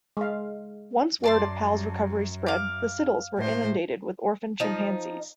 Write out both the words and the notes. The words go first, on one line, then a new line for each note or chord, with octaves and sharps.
Once word of Pal's recovery spread, the Siddle's were inundated with orphaned chimpanzees.
G#3 F5
F#2 D5 A5 C6
F5 D6
A2 C5
F3 D#4